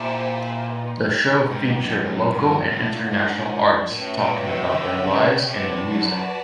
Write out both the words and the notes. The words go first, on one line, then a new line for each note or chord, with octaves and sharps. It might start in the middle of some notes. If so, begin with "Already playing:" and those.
The show featured local and international artists talking about their lives and their music.
Already playing: A#2 E4 G4 C5 E5 A5
D#4 G4 B4 D#5
G#2
F#2
F#2
G2 D4 F4 A#4 D5 F#5
A2
G#2
A2 C#4 F#4 B4 E5 G5
A#2
C3
D3
C3
C#3
C3 F#4 B4 D5 F#5 A5
F#2